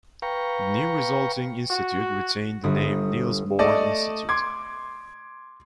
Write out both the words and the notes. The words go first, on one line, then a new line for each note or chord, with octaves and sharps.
The new resulting institute retained the name Niels Bohr Institute.
B4 F5 G5 A#5 C#6
F#4
G1 D#6
A3 D5 D#5 A5
C6 D6 G#6